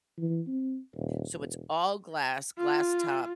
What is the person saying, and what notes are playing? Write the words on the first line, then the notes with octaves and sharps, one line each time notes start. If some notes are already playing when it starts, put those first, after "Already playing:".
so, it's all glass, glass top,
E3
C4
D#1
E1
F4